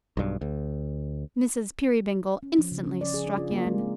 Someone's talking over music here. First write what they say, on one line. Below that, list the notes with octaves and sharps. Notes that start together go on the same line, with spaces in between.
Mrs. Peerybingle instantly struck in.
B1 G2
D2
C#4
F3
C#3
C#4
D5
G#4
D4
F4
A#3
G#3
C4